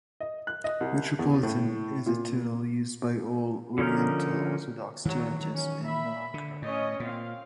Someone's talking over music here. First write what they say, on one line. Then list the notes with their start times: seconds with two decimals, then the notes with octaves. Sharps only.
Metropolitan is a titlle used by all oriental orthodox churches in Malankara.
0.20 D#5
0.47 F#6
0.64 D#5
0.81 C2
1.19 E2
1.43 A2
2.06 A#2
3.78 D3 F3 C#4 D#4 A#4
5.05 D#3 E3 F#3 G#3
5.54 C#4
5.85 E5 B5
6.34 D3
6.62 A2 C#4 C#5 D#5
7.00 A#2 C4 F5